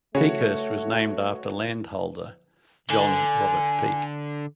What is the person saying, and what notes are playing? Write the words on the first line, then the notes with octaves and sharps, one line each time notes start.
Peakhurst was named after landholder John Robert Peake.
C#3 A3 F#4 C#5
D3 G#5